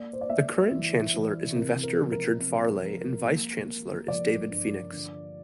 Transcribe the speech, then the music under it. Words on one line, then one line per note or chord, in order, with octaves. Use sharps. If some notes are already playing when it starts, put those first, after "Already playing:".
The current Chancellor is investor Richard Farleigh and Vice-Chancellor is David Phoenix.
Already playing: A#3 D5
C5
D5
A#3 E5
E3
E3
C3 A#4
A#4
F3
A#4
C4
F3
A#3
A#3
F3 D5
G2
D3